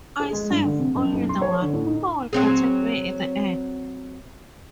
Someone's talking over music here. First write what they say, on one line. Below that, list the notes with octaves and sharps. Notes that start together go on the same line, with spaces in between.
I serve only the One, who will protect me in the end.
G#4
G#3
G2
D3
C3
F#1
B1
C6
C#5
D3
A2
D#4
F#3 C4 G#4